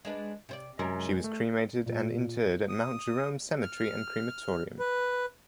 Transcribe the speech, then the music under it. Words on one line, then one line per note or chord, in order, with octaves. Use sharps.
She was cremated and interred at Mount Jerome Cemetery and Crematorium.
G#3 D4 B4
C3 C5 D5
F#2 C3 G#3 A#4
A3
A#2
D#6
F6
B4